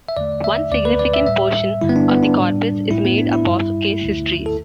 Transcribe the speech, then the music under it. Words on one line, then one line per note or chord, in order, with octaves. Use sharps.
One significant portion of the corpus is made up of case histories.
E5
E2 D3 A3 D5
E5
D2 D3 A3 D5
B4
D5
E5
A2 G3 E5
G2 D3 G3 E4
B3
D4
B3
D4
A2 G3
A2 A3 E4
B3
D4
E4
G2 G3
D2 D3 A3
A4